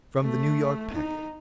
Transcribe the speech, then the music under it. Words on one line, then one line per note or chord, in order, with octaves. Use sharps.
From the New York Packet.
A3
D#4